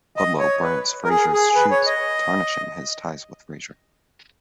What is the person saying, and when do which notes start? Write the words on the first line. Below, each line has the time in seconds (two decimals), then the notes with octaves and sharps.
Ludlow burns Frasier's shoes, tarnishing his ties with Frasier.
0.17 D#5
0.40 C#5
0.63 B4
1.04 A#4
1.09 G#4
1.33 G#4
1.55 B4
1.71 C#5
1.86 D#5